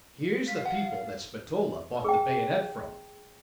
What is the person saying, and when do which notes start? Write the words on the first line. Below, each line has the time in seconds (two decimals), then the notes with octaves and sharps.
Here's the people that Spatola bought the bayonet from.
0.48 F5 B6
0.65 F#5
2.04 G#4 G5